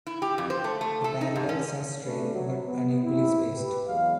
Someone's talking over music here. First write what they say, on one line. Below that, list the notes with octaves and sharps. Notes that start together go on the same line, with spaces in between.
The parallels are straight but unequally spaced.
E4
G4
F2
C5
A3
A3
A4
D#4
G#2
C#4
C3 A3 B3 C#4 D4 B4
F#3
B3
F#1 C3 E4
G4 B4
E2 F#3 G#3 F5